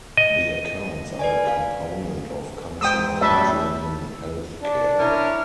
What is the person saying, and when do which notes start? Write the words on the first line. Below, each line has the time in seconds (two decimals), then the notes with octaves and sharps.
The accounts are a component of consumer-driven health care.
0.17 D#5
1.19 B4 D5 G#5
1.47 F5
2.81 G#2 G5 D#6 E6
3.21 F#2 A2 G3 A4 E5 F#6
4.61 D4
4.99 C#4 E4 A#4